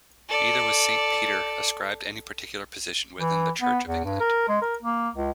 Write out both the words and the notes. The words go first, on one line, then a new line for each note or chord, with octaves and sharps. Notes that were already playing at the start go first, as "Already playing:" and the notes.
Neither was Saint Peter ascribed any particular position within the Church of England.
A4 D5
E3
B3
E2
G2
A#4
G#3
A#4
A#3
C#2